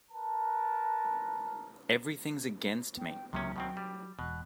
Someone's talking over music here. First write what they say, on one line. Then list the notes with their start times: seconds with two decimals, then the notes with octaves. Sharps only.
Everything’s against me.
0.12 A#4 B4 A5
2.97 B3 G5
3.33 C#2 C3 D#3 F#3 A#3 C#4 E5
3.56 B2 D#3 F#3 C4 G5
3.77 G3
4.19 E1 B2 F#6